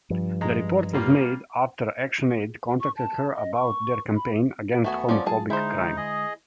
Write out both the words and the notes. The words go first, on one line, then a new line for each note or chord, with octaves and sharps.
The report was made after ActionAid contacted her about their campaign against homophobic crime.
G2 F3
G#3 A#5
G3 A#3 F4
C#6
A5
D#5
C#6
B5
D#2 A3 B3 F#4 G#5
F3 G3 C#4 D5
F#3 G#3 F4 G#4 A5
D3 G#3 D#4 E4 C5
G#4 D#5